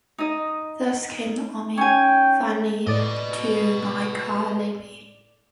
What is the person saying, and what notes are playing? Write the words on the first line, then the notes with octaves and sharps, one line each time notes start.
Thus came the army finally to Nykarleby.
D#4 D#5
C#4 G5 G#5
A2 B4 D5 D#5